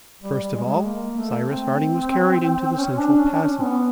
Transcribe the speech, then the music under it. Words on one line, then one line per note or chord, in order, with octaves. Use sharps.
First of all, Cyrus Harding was carried into the central passage.
G3
G3
G#3
A#3
A3
C4
C#4
D4
C#4
D4
C#4
B3